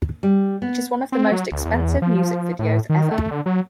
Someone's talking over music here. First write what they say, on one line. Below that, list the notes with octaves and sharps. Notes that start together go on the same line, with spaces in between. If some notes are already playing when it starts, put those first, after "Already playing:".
It is one of the most expensive music videos ever.
G3
B3
C4
F#3
D2
E2
F3
A2
D#3
A3
D3
F#3